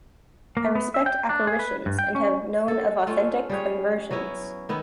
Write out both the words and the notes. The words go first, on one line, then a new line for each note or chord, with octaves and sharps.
I respect apparitions and have known of authentic conversions.
A#3
B3
E5
G5
D4
G#4
B4
G2
G5
C#4
A4
A3 C#4 F4
G3 G#4 C#5
F#3 B3 C#4 E4
D#3 B3 E4